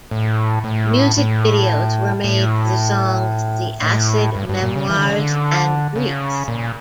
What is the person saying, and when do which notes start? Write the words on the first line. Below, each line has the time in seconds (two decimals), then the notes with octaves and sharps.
Music videos were made for the songs "The Acid Memoirs" and "Grease".
0.11 A2
0.64 A2
1.17 A2
2.24 A2
3.82 A2
4.36 G2
4.49 G2
4.63 A#2
4.76 C#3
4.89 E3
4.97 D3
5.05 C#3
5.13 D3
5.96 C#3
6.48 A#2